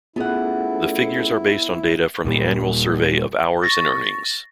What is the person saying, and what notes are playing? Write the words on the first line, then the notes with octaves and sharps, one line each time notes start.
The figures are based on data from the Annual Survey of Hours and Earnings.
A3 B3 C#4 E4 F4 G#4 A4 F#5
D#1 A#2 G3
C#6 A6 A#6